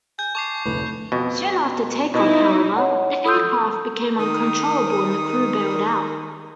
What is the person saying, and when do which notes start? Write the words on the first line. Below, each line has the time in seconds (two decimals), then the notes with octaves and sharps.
Soon after takeoff, however, the aircraft became uncontrollable, and the crew bailed out.
0.19 G#5 G6
0.35 A5 C#6 D6 C7
0.66 F1 D2 A2 B4
1.12 F2 B2
2.14 B2 D#4 E4 D#5
2.76 C#5 F#5
3.26 A4 D#6 E6 G6
4.19 D#3 A#4 D#6